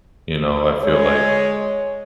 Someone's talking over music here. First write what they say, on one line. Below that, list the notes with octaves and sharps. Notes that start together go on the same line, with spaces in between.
you know, I feel like,
G#3 C#5